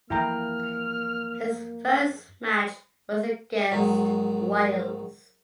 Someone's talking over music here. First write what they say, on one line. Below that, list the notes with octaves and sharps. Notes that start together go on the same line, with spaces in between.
His first match was against Wales.
F#2 E3 F3 A#3 E4 G5 A#5 F6
A#1 G#2 D#3 F#3